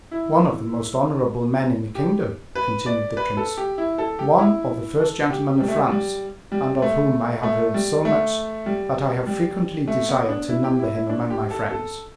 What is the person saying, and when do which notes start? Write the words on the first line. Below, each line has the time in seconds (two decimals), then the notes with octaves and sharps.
"One of the most honorable men in the kingdom," continued the prince; "one of the first gentlemen of France, and of whom I have heard so much that I have frequently desired to number him among my friends."
0.11 E4
1.95 G4
2.55 B4
2.86 D5
3.17 B4
3.37 A4
3.58 G4
3.78 E4
3.98 A4
4.19 G4
4.38 E4
5.00 A4
5.30 G4
5.60 G3
5.68 A3
5.74 G3
5.91 G3
6.52 G3
6.82 A3
7.43 A3
7.74 G3
8.05 A3
8.66 G3
9.26 G3
9.88 A3
10.09 B3
10.29 D4
10.49 E4
10.64 G4
10.79 E4
10.94 E4
11.09 D4
11.30 G4
11.51 A4
11.71 A4